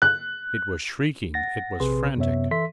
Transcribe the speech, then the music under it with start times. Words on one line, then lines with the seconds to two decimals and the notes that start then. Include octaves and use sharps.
It was shrieking, it was frantic!
0.02 F#6
1.34 F#5 A6 A#6
1.80 A#1 C3 C4 G#4 B4 C6
2.17 F#2 C3 B3 C#5 E5
2.51 E3 A4 E5 C6 B6